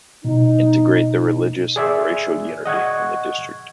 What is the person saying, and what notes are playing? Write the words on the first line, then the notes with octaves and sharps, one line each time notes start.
Integrate the religious and racial unity in the district.
B2 D#4
G#4 D5 E5
D#5 F#5 C#6 G#6